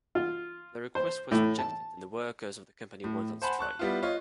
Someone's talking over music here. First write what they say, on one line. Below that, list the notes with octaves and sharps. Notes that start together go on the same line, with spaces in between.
The request was rejected and the workers of the company went on strike.
F4
C5
A2
A5
A2
C5 F#5 G#5 A5 B5 C6
A5 C#6 F#6
G3 B3 E4 F4
F4 C#5 D#5